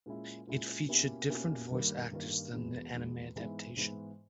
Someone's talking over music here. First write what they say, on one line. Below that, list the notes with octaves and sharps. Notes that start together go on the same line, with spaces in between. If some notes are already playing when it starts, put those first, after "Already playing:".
It featured different voice actors than the anime adaptation.
A#2 G#3 C#4 E4
A#2 G#3 C#4 E4
B2 A#3 C#4 E4 G4
B2 A#3 C#4 E4 G4
G2 D#3 G3 A#3
G2 D#3 G3 A#3
E2 B2 G#3 B3
E2 B2 G#3 B3
G#2 E3 G#3 B3 E4
G#2 E3 G#3 B3 E4